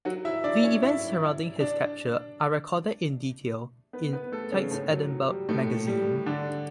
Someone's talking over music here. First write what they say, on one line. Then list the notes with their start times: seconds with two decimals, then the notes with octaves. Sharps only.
The events surrounding his capture are recorded in detail in "Tait's Edinburgh Magazine".
0.05 F#3 F#4
0.25 E4 E5
0.44 D4 D5
0.63 C#4 C#5
0.83 E4 E5
1.60 D4 D5
3.93 B3 B4
4.13 B3 B4
4.32 A3 A4
4.52 C#3 C#4
4.71 A2 A3
4.91 F#3
5.30 G3
5.49 A2 A3
5.87 G3
6.26 D3 D4